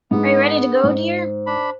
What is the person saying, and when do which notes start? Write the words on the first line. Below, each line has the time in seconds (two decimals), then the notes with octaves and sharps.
Are you ready to go, dear?
0.11 G#2 G#3 B3 D4 G#4
0.83 G#2 C5
1.46 D4 B5